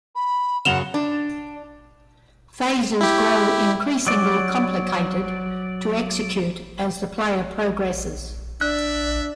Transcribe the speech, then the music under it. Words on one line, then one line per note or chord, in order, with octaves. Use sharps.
Phases grow increasingly complicated to execute as the player progresses.
B5
F#2 C#3 F#5 E7 F7 G7
D4
E4 G4
F#3 D5
D4 D5 E5 F#6